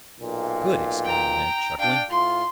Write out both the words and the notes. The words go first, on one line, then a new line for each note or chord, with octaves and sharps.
"Good!" exclaimed Ned, chuckling.
B1 A#2
G5 A#5
D4 F5 G5
A2 F4 C6